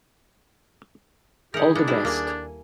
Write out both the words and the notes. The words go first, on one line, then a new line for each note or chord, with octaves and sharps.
All the best.
D#3 G4 G#4 A#4 E5 F#5
A#3 B3 D4
G3 D#4 E4 F#4 E5
D#2 A#3 A4 G#5